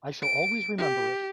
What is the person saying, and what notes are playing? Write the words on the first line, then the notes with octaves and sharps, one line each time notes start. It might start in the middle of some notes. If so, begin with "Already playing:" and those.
I shall always remember it.
D7
G4